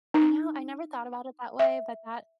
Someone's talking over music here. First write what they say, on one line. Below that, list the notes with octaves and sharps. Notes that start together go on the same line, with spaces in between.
You know, I never thought about it that way, but that
D#4
E5